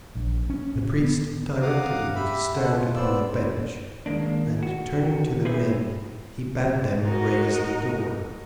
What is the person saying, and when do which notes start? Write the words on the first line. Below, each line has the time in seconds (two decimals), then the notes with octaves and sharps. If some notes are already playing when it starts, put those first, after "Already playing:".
The priest directed me to stand upon the bench, and turning to the men, he bade them raise the door.
0.15 A#1
0.50 C#4
0.75 A2
0.99 B3
1.62 F5 F#5 A#5 D6 D#6
2.16 G4 E5 B5
2.56 F#4 G#4 A4 C5 F#5
2.73 F4
2.95 B3 C5 D5 E6
4.06 D#3 G#3 A#3 D4
4.63 F#4
5.45 D#4 E4 G#4 B4
7.04 D#4 F#4 A#4 D#5